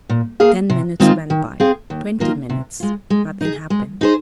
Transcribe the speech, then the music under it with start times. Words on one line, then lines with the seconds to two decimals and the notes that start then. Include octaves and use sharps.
Ten minutes went by--twenty minutes--nothing happened.
0.09 A#2
0.40 A#3 G#4 F5
0.70 C3
1.00 D#3 G#3 C4 F4
1.30 D#3
1.60 C4 G#4 F5
1.90 D#2
2.20 D#3 A#3 F4 A#4
2.50 C3
2.80 G#3 F4
3.10 G#3
3.41 D#4 G#4
3.70 G#3
4.01 D#4 G#4 C5